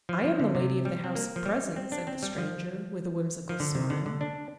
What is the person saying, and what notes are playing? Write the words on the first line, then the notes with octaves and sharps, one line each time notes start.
"I am the lady of the house at present," said the stranger, with a whimsical smile.
F3
F3
D3
C3
G3
C4
A#3
F3
G3
C4
D4
C4
G3
F3
F3
D3
C3
D3
D3
D4